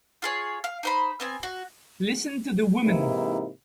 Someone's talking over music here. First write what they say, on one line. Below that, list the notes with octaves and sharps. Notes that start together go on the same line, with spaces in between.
Listen to the woman!
F4 G#4 C#5
F5
D#4 C5 B5
B3 C4 G#5
F#4
G#2 C3 E3 A#3 D#4 E4